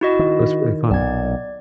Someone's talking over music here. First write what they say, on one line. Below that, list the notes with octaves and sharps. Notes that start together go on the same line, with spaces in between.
It was pretty fun.
E4 F#4 D#5
D#3
B1 A#2 D5 G#6